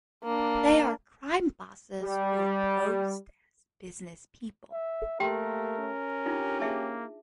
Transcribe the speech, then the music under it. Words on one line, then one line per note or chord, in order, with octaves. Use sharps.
They are crime bosses who posed as businesspeople.
A#3 D4
G3
E5
A3 A#3 G4 A#4 G5 C6
C#4
D4 D#4 F4 G4
A#3 G#4 E5 A5